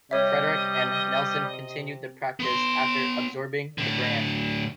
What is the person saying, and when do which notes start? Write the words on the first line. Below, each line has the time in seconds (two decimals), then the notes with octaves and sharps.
Frederick and Nelson continued the practice after absorbing the brand.
0.11 C3 G3 C#5 D#5 E5
2.40 B3 C6
3.78 A2 D3